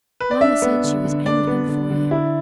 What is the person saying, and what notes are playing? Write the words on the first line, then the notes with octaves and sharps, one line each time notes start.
Mamma said she was angling for you.
B4
D5
D4 E5
B3
D3
D3
D4 D5
B3
D3
D3
E4